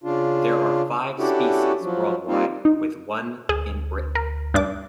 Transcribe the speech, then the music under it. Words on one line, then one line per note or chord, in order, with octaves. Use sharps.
There are five species worldwide with one in Britain.
C#3 D4 F4
C#4 D4 E4 F#4 G4 A4
F3 F#3
G3 A#3 C4 D#4 F4
D#4
D2 G#4
A#4
G2 D4 D6